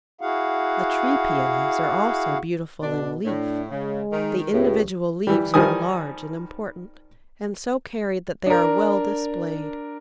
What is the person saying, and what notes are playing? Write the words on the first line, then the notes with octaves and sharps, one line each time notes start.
The Tree Paeonies are also beautiful in leaf; the individual leaves are large and important, and so carried that they are well displayed.
E4 F#4 G#4 F5 F#5
B2 D4
A2 D4
C#3 G#3
D#3
C#2 A2 G4
E3 G3
D#3 F3 G3 G#5 D#6
D4 A#4